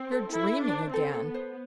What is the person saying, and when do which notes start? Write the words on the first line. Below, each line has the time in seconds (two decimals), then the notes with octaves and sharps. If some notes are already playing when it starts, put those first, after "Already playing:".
"You're dreaming again."
Already playing: C4 C5
0.12 A4
0.32 E4 A4
0.53 E5
0.63 D4
0.73 C5
0.93 C4 A4
1.14 A4
1.24 B3
1.34 C5